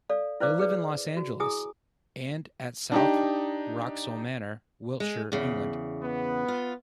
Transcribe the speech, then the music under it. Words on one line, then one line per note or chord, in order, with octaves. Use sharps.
They live in Los Angeles, and at South Wraxall Manor, Wiltshire, England.
A4 D5 F5
E4 B4 C5 D5 F5 D6
G#4 B4 D5
F#4
E4 G#4 G#5 D#6
D4 D#4 G4
G#3
E2 C#3
B3
F4